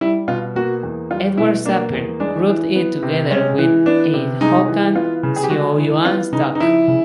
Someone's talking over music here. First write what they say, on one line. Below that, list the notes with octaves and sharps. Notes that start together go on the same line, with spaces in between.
Edward Sapir grouped it together with a Hokan-Siouan stock.
G3 E4
B2 F4
A#3 F#4
E2
G3 F4
B2 E4
A#3 D4
E2
G#3 D4
E3
B3
C3
G#3 C#4
E3
B3 D4
C3
G#3 D#4
E3
B3 F4
C#3
G#4
G4
G#3 F#4
E3
B3 F4
C#3 D#4
D#4
F3 E4
C#3